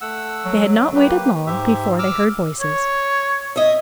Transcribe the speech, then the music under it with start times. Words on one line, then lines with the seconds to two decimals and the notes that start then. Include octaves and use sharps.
They had not waited long before they heard voices.
0.01 A3 F#5 E6
0.45 F#3
0.95 A#3 G4 B4
1.46 G#2 G4 E5
1.99 D6 E6 F6
2.60 C#5
3.56 D#5 E5